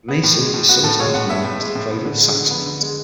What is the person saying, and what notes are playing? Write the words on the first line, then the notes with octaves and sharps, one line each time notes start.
Meissen is sometimes known as the "cradle of Saxony".
B3
A2
G#3
A2
B3 F#4
A2 A4
G#3 C#5
A2 F#5
B3 E5
A2
G#3
A2
B3
D3
G#3
D3
B3
D3
G#3